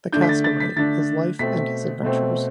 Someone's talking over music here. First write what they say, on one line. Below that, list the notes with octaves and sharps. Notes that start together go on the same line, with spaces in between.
The Castaway: His Life and His Adventures.
D3 A3 D4 G6
B6
A6
A6
B6
D3 A3 D4 A6
B2 A3 C4 B6
B2 A3 C4